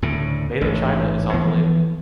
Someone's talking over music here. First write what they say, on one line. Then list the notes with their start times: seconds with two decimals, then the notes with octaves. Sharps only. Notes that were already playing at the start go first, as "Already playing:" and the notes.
Made in China is on the label.
0.02 D2 A2 C#3
0.61 A1 G#2
1.33 E3 F3 B3